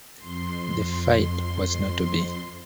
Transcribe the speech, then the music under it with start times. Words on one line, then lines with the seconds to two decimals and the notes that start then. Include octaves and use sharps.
The fight was not to be.
0.18 F2 C6